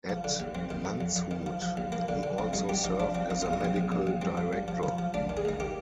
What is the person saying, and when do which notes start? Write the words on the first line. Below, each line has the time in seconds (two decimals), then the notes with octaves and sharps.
At Landshut, he also served as a medical director.
0.09 F3
0.24 D3
0.40 D#2
0.55 F2 C4
0.70 D#3
0.85 F2
1.01 F2
1.16 F2
1.31 D#3
1.46 F3
1.62 F3
1.77 D#2
1.92 F3 A#3
2.08 D3
2.23 D3
2.38 F3 C4
2.53 G2 D#4
2.69 G2 G4
2.84 F3 D#4
3.00 F3 D4
3.15 F3 C4
3.30 F3 D#4
3.42 F4
3.46 A#1
3.53 D#4
3.61 A#1 C4
3.76 A#1
3.92 A#1
4.07 A#1
4.22 G2 C4
4.37 F3
4.53 G2
4.68 F3
4.83 F3
4.99 F3
5.14 D2 D4
5.29 D#3
5.37 G#4
5.45 D2 D#4
5.60 D#3 G4